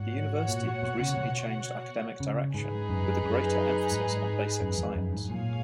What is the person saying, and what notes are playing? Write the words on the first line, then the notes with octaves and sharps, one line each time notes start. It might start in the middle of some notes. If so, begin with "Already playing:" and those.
The university has recently changed academic direction, with a greater emphasis on basic science.
Already playing: G#2 F#4 C#5 F#5
A#2
B2
C#3
B2
C#3
G#2 D#4 G#4 B4
F#2
F#2
G#2
F#2
F2
F#2
G#2
A#2 G#4 C#5 F5 G#5